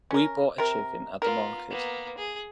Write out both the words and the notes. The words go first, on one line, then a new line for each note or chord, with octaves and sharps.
We bought a chicken at the market.
C#4 A#4
C3 A#4
B3 F4 A#4
A#3 B3
G#4